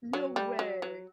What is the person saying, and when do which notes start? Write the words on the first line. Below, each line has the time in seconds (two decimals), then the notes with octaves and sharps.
No way!
0.13 F#3
0.36 G3
0.59 F#3
0.82 F#3